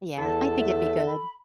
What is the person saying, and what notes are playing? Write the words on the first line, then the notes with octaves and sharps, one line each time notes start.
Yeah, I think it'd be good.
E2 A4 A5
E5
B5